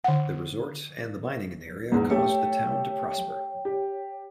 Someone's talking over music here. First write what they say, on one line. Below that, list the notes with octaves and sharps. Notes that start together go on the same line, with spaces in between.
The resort and the mining in the area caused the town to prosper.
D3 F#5
E2 G#2
A3 G4 A4 C#5 G5
G4